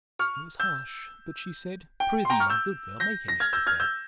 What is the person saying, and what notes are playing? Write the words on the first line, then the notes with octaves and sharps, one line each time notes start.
I was hush; but she said, Pr'ythee, my good girl, make haste to bed.
C#6 F6
E6 G6
G5
C6
G5 A#5
C#6 F6
E6 G6
G6 A#6
A#6
F6 G#6
E6 G6
F6 G#6
E6 G6